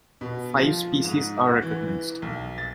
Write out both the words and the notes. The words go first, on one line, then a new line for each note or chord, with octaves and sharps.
Five species are recognized.
B2
F3
G#2
F#4
E3
B1
A6